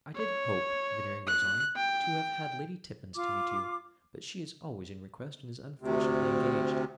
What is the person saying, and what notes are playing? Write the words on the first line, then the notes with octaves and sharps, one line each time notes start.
'I did hope,' Veneering goes on, 'to have had Lady Tippins to meet you; but she is always in request, and is unfortunately engaged.'
C#5
F#6
G5
F4 D6
D2 C3